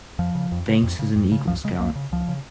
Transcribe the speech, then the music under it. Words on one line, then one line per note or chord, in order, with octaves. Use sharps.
Banks is an Eagle Scout.
F2 F3
C#3
F2
C#3
F2
C#3
F2
C#3
C#2 F3
C#3 G#3
C#2 A#3
C#3
C#2 F3
C#3